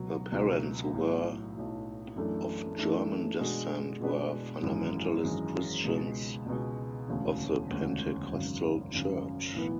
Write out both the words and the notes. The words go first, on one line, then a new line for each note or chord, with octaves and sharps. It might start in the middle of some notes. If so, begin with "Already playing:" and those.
Her parents, who were of German descent, were "fundamentalist Christians" of the Pentecostal Church.
Already playing: C#2 B2 F#3
C#2 B2 F#3
B1 A2 F#3
B1 A2 F#3
F#2 E3 A3 D4 A4
F#2 E3 A3 D4 A4
B2 G#3 D4 F#4 B4
B2 G#3 D4 F#4 B4
G#1 F#2 E3 G#3
G#1 F#2 E3 G#3
C#2 B2 G#3
C#2 B2 G#3
E1 D2 C#3
E1 D2 C#3
G#1 F#2 C#3
G#1 F#2 C#3
B1 A2 E3 B3